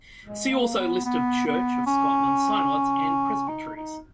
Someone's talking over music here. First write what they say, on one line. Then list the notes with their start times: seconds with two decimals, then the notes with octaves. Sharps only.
See also List of Church of Scotland synods and presbyteries.
0.25 G#3
0.52 A#3
0.79 B3
1.05 B3
1.47 B3
1.87 C#4
3.48 D#4
3.76 D#4